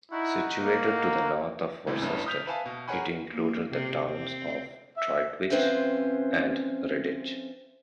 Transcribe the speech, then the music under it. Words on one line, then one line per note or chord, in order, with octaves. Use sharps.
Situated to the north of Worcester, it included the towns of Droitwich and Redditch.
D#4 E4 F#4 F#5
A#3
C#2 A2 C3 E3 G#3
A1 G2 B3 C#4 E4
D#6 F6 G6 B6 F7
B4 E5 F5 G#5 A5 B5
B2
G#4 A#4 C#5 F#5 G#5 B5
A#3
C3
C4
E5
F3 C4 C#4 B4 C5 E5